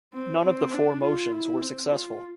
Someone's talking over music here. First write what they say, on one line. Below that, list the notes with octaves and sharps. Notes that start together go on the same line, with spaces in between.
None of the four motions were successful.
C4
C4
D4
F4
E4
C4
F4